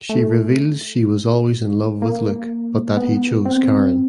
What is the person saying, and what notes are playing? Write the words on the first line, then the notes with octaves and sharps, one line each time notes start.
She reveals she was always in love with Luke but that he chose Karen.
A3
A#3
B3
C4